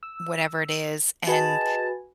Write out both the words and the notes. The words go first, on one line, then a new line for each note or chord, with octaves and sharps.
whatever it is, and
E6
F#4 G#4 B4 D#5 G#5 A5